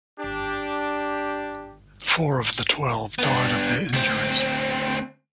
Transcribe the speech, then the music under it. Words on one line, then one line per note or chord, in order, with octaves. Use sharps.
Four of the twelve died of their injuries.
D4 G4
B3 D4
D2 C4